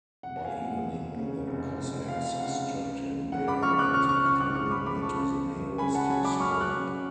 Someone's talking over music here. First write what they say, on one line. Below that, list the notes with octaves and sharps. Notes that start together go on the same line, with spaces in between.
By evening, the Cossacks stripped him bare, and threw him into the nearest swamp.
F1 F#5
F5 G#5
F1
F#5
F2
C#3
F1
F1
F2 F5
F5
C#3 F#5
F5
C#2
C#2
C#3 F#5
B5 D6
F3 C#6 F6
D6 F#6
C#2 C#6 F6
C#6 F6
C#2 C#6 F6
D6 F#6
C#3 C#6 F6
B5 D6
F3 B5 D6
A5 C#6
C#2
C#2
C#3 G#5 B5
F#5 A5
F#3 G#5 B5
B5 D6
C#2 C#6 F6
F6
D6 F#6
C#2